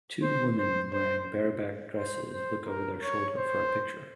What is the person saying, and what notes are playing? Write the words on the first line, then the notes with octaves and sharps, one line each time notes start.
Two women wearing bareback dresses look over their shoulder for a picture.
C5
C5
C5
C5
C5
A#4
C#5
C5